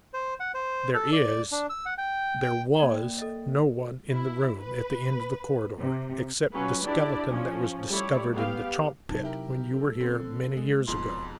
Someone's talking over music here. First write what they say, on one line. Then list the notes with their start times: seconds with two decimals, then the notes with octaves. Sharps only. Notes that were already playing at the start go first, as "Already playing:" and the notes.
There is--there was--no one in the room at the end of the corridor, except the skeleton that was discovered in the chalk-pit when you were here many years ago.
0.14 C5
0.40 F#5
0.54 C5
0.94 A4
1.13 D5
1.52 D4
1.70 E6
1.86 F#5
1.98 G5
2.41 G5
2.79 A#3 D5 G5
3.19 A4 D#5
4.12 E4
4.62 B4
5.79 C3
6.51 F#3 C#4 F4 B4
6.83 D4 E4 G4 D5
7.30 F3 C#4
7.88 G3 A3 E4 C#5 D5
8.31 B3 G4 F5
9.09 C3 F#3 D#4 A5
9.23 E4 G4 A#4
9.72 A4
10.01 D3 C4
10.57 G#3
10.87 D#1 F2 G#2 B2 C6